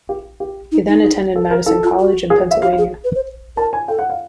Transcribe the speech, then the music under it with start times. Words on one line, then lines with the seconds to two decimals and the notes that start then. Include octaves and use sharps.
He then attended Madison College in Pennsylvania.
0.09 G4
0.40 G4
0.72 D#4
0.88 D#4
1.04 G#4
1.36 A4
1.51 A#4
1.66 E4 A4
1.83 F4
1.99 F#4
2.30 G#4
2.51 E5
2.62 G4 F5
2.73 F5
2.78 G#4
3.04 B4
3.15 C5
3.57 A#4 A5
3.73 G#5
3.88 A4 G5
3.99 F#5
4.10 F5